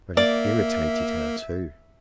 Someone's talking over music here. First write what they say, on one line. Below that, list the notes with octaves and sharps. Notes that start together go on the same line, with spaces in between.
But it irritated her too.
A#3 D5 E5